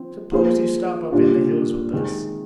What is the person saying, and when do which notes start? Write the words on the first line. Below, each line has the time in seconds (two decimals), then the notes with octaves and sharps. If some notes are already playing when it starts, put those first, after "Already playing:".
S'pose you stop up in the hills with us.
Already playing: F3 C4
0.32 F3 A#3 F4 G#4 C5
1.12 A#2 G3 D4 F4
1.93 C3 D#3 G#3